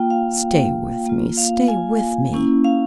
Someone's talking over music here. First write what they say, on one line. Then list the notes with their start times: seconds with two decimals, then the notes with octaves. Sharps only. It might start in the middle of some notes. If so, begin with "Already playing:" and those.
Stay with me, stay with me!
Already playing: A#3 F4 G5
0.10 F5
1.06 A#3 F4
1.37 F5
1.68 G#5
2.33 A#3 C#4 E4
2.64 F5